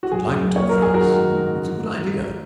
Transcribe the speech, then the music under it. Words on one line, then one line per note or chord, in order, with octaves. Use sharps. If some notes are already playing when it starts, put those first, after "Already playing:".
I should like to, Frantz; it's a good idea.
F#4
F#3 G#4
F#2
F#2
A#3 C#5
F#3 A#4
F#2 G#4
F#4 A#4
D#3
G#2
G#2